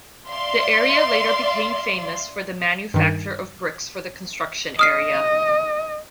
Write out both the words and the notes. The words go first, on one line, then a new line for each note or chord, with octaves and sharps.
The area later became famous for the manufacture of bricks for the construction area.
D5 E5 F5 C6
G2 D#3
D#5 D#6 F6 C7